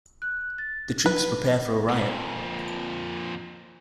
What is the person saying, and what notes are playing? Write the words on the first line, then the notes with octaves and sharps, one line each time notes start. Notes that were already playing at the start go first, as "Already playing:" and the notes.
The troops prepare for a riot.
F#6
A6
B4
F2 A#2